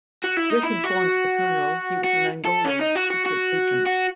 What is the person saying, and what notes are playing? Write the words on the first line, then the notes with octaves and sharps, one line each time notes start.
Rick informed the Colonel he was an Angolan secret agent.
F#4
E4
D#4
E4
F#4
F#4
A4
C#4
D#4
F#4
F#4
F#4
F#4